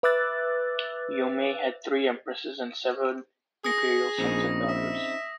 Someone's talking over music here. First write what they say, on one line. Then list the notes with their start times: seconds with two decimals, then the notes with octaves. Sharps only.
Yomei had three Empresses and seven Imperial sons and daughters.
0.03 B4 E5 D6 E6 F#6 A6
3.64 G#4 D#6 A#6
4.18 A#1 C#3 C4 D#4
4.69 E5